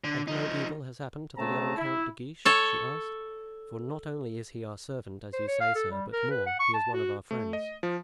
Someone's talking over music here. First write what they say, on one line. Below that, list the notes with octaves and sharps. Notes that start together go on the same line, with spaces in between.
"And no evil has happened to the young Count de Guiche?" she asked; "for not only is he our servant, as you say, sir, but more--he is one of our friends."
D3
F3 D#4
C#3 A3 C4 A5 A#5
E4
A4 C#5
C5
C#5
F5
A4
G3
A#4
B4
F#5
C#6
A5
F#4
A3
D#5
F3